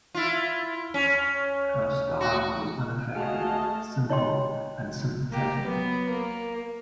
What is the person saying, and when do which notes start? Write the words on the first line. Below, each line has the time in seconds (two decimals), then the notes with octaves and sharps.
Her style was unaffected, simple, and sympathetic.
0.15 E4 F4
0.94 C#4
2.21 F#4
3.15 A3 F#4 G#4 D#5 F5 A5
4.09 D#4 C#5 D#5 G5 C6
5.31 A#3 G4
5.63 F#3 B3
6.10 A#3